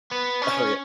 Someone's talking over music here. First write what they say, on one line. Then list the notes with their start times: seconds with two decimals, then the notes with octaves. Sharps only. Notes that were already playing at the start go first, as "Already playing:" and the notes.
Oh, yeah.
0.12 B3
0.42 C#4